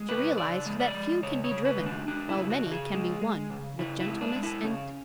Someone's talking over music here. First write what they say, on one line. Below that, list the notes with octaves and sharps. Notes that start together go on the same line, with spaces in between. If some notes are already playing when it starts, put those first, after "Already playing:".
She realized that few can be driven, while many can be won with gentleness and tact.
Already playing: G#3
C#3 B4
C#3 D5
G#3
D5
G#3
C#3 C#5
C#5
C#3
B4
G#3
D4
G#3 D4
E4
C#3
F#4
C#3
G#4
G#3
G#3
C#3
C#3 E4
E4
G#3
D4
G#3
E4
C#3 C#4